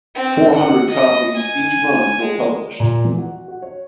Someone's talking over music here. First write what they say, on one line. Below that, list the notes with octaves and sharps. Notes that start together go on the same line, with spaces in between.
Four hundred copies each month were published.
C4
F#5
D#5
G#5
G#3
A#2
E3
F#4
F#4
C#5